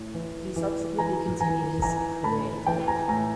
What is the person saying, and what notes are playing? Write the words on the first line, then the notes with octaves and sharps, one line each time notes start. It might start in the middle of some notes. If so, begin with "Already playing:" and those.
He subsequently continued his career in television.
Already playing: A2
E3
E3
E3 G#5 A#5
E3 G#5 A#5
E3 G#5 A#5
A2 A5 B5
E3 G5 A5
G#5 A#5
A2 G#5 A#5